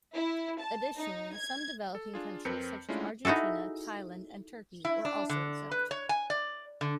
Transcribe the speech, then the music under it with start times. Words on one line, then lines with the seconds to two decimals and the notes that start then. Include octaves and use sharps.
Additionally, some developing countries such as Argentina, Thailand, and Turkey were also exempt.
0.15 E4
0.61 A5
0.98 D#4
1.37 G#6
1.95 A4
2.14 D4 F4 G#4
2.45 F2 C4 A#4 B4 G6 C#7
2.88 G#3 A3 C#4 D4 E4 F4
3.25 D#4 E4 F#4 G#4 A4
4.85 E4
5.05 D4
5.30 D3
5.71 B4
5.91 C#5
6.09 G#5
6.30 D5
6.81 D3